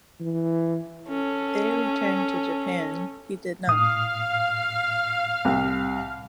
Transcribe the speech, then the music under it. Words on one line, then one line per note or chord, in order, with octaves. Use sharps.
They returned to Japan; he did not.
E3
C#4 A4
A2 F5 D#6
C2